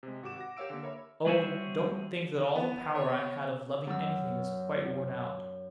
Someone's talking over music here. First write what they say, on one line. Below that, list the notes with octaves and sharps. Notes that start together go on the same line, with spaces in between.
Oh, don't think that all the power I had of loving anything is quite worn out!
C3 G#3
G#1 F#4 G4 D6 E7
F#5 A#6
G4 A#4 C#5 F5 E6 D7
D3 A#3
A#4 C#5 E5 B5
G3 F#4 G#4 C5 C#5 E5
B3
C#5
F#2 F#3 E6